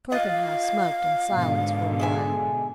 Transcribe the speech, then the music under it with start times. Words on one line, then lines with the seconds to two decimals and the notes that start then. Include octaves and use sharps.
Torpenhow smoked in silence for a while.
0.12 F4 D#5 F5 F#5
1.30 G#2 B2 D3
2.00 G#3 E5 G#5